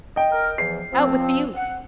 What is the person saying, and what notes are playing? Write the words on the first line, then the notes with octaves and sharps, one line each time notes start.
Out with the oof.
D#5 G5
A#4
E2 E3 F3 C7
F3 C4
F#5